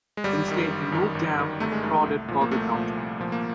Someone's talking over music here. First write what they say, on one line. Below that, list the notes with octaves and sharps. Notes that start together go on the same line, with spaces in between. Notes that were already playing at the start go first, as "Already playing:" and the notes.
Instead he moved down and forded further downstream.
G#3
G1 G3
F#2 D#3
G1
F#2 D#3
G1
F#2 D#3
G1 A3
G#3
F#2 D#3 A3
C2
A#2 F3
A#3
C2 A3
A#2 F3
C2
A#2 F3
A#3